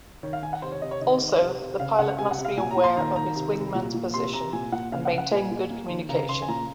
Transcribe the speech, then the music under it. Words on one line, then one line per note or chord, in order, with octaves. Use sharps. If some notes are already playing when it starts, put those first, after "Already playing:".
Also, the pilot must be aware of his wingman's position, and maintain good communication.
D#3 C#5
F5
D#3 G#5
F#5
C3 C5
C#5
C3 D#5
C#5
D#3 D#5
D#3
C3
C3
C#3 F5
C#3 F#5
C3 G#5
F#5
C3
F5
A#2 G#5
A#5
A#2
C6
D#3 A#5
D#3 A#5
C3
C3
A#2
A#2
C3 C6
C3 A#5
A#2 G#5
A#2 F#5
C#3 F5
F#5
C#3
F#5
A#2 G#5
A#2
A#3
D#3
C#3 A#5
C#3 C6
G#5
A#2 A#5